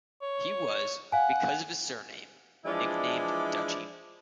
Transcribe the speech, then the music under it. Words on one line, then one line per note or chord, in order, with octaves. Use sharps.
He was, because of his surname, nicknamed "Dutchy".
C#5
F5 F#5 G#5
E3 F3 G#3 D4 E4 D5